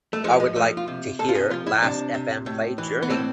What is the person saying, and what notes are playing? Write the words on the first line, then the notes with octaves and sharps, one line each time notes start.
I would like to hear lastfm play journey.
A3
F3 G#3
G#3
F3 A3
F4
C3
C3 A4
F4
G#4
F3 F4
E4
C3 D4
C3
A2
E3
B3
A2 C4